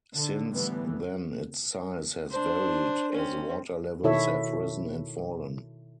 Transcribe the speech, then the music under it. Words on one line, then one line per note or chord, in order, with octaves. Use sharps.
Since then its size has varied as water levels have risen and fallen.
D3
A2 D3 E3 G3 B3
D4 C5
C4 C#4
B2 D#3 E4 A4 C#5 E5